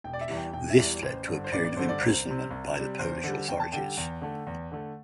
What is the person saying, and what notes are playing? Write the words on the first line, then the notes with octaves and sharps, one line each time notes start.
This led to a period of imprisonment by the Polish authorities.
E1 G5
D5
E5
E2 E3 G3
G5
E1 G5
E5
E2 E3 G3
A1 C5
G2 D3
C5
A1 D5
D5
G2 D3 C5
D5
C2 C5
C3 G3
C2
C3 G3
E2 C5
D3 G3
E2 G5
A5
D3 G3 G5
E2
D3 A3
E2
D3 A3